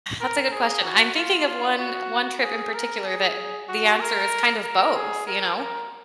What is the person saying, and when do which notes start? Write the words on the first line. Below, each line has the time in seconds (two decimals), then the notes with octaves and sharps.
that's a good question. I'm thinking of one one trip in particular that the answer is kind of both, you know,
0.21 A#4
0.52 G#4
0.83 F#4
1.15 F4
1.47 F4
1.79 F#4
2.42 G#4
2.74 A#4
3.05 G#4
3.69 F#4
4.00 A#4
4.64 A#4
4.94 G#4
5.27 A#4
5.58 A#4